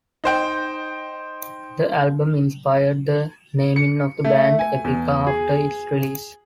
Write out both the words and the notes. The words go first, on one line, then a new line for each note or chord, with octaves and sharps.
The album inspired the naming of the band Epica after its release.
D#4 C5 G5
C#7
A3
G#5
E2
G#4